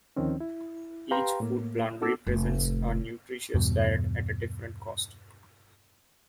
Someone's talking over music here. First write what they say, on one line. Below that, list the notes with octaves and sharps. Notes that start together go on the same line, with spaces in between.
Each food plan represents a nutritious diet at a different cost.
D2 D#3 F3 C4 C#4
E4
G4 B4 F5 G5 A#5 C6
A2 A#3
C4 D#4 F#4 A4 D6 E6
F1 A2
E2 G2 B2